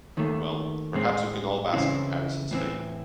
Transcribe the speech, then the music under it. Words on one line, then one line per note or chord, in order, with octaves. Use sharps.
Well, perhaps we can all bask in Harrison's fame.
D#2 D#3 A3
A2 G#3 C4
C#3 E3 C4 E4
A2 E3 C4